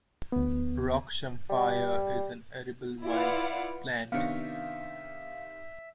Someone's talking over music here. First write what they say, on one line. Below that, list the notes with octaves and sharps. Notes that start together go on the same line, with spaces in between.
Rock samphire is an edible wild plant.
D2 B3
G3
E4 F4 B4 D5 F5 F#5
C3 D#3 B3 D4 C#5 E5 F5